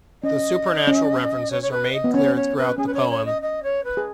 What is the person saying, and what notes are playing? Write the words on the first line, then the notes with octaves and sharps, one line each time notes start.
The supernatural references are made clear throughout the poem.
C#4 D#5
C#4
C#5
C#5
B4
D#5
B3
C#4 C#5
C#5
B4
C#4 G#4
B4
C#5
C#5
D#5
D#5
C#5
B4
G#4